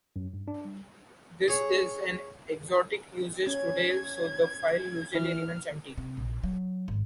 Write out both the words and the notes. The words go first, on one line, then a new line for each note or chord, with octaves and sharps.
This is an exotic usage today so the file usually remains empty.
F#2
G2
D4
G3
G#4 C#5
C#4 G#6
E3 F6
C3
A#1
F#3
G#1